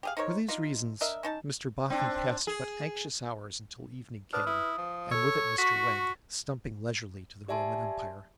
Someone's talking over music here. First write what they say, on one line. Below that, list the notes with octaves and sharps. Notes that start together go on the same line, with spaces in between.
For these reasons Mr Boffin passed but anxious hours until evening came, and with it Mr Wegg, stumping leisurely to the Roman Empire.
G4 G#4 F5
D#4 A#4 C5 C#5
D4 D#4 F4
D4 A#4 D#5 E5
C#4 D#4 A5
C4 D4
G#4
D4 B4 D#6 F6
E4 D#6
F3
A4 C#5 E6
F#4 C#6 B6
G4 D5 E5 G#5 A5 C6